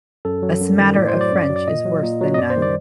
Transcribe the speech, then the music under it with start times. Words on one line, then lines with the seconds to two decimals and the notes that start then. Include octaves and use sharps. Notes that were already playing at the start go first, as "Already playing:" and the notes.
A smatter of French is worse than none.
0.25 F#2 A4
0.43 F#3
0.61 F#2
0.78 D#3 G3
0.96 A2 D5
1.08 C5
1.14 F#3
1.21 D5
1.32 F#2
1.49 F#3
1.56 D5
1.68 A#2 D#5
1.85 F#3
2.03 A#2
2.21 F#3
2.34 D#5
2.38 F#2 D5
2.50 C5
2.57 D#3 G3
2.62 D5